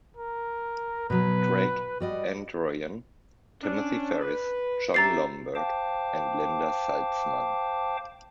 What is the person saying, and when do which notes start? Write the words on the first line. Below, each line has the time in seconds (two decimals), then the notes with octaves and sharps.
Drake, Ann Druyan, Timothy Ferris, Jon Lomberg, and Linda Salzman.
0.17 A#4
1.10 B2 F#3 B4
2.00 G3 F#4 D5 D#5
3.63 C#4 D4
4.21 B4
4.94 C#4 G4 E5 A#5 A6 C7
5.55 C5 F5 G5 A5 D6